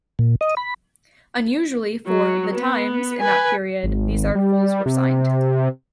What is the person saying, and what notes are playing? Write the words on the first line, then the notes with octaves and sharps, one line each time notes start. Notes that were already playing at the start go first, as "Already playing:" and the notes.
Unusually for "The Times" in that period, these articles were signed.
A#2
D#5
B5
F#3
B3
B4 G#5
G#1
G3
C3